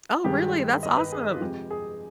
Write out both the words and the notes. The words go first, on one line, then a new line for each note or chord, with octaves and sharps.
Oh, really? That's awesome.
G2 D#3 G#3 G4
D#5
B4
G#4
F4
F2 C3 F3 G#3 G4
G#4